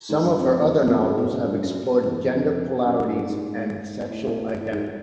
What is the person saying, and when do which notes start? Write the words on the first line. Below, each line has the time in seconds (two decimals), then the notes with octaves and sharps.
Some of her other novels have explored gender polarities and sexual identity.
0.09 G#2
0.24 G2
0.39 F2
0.60 E2
0.81 F2
1.01 F#2
1.17 B2
1.32 C#3
1.43 F#2
1.47 G2
1.63 F#2
2.04 E2
2.24 F2
2.86 F#2
3.06 G2
3.27 G#2
4.10 A2
4.60 A2
4.71 G#2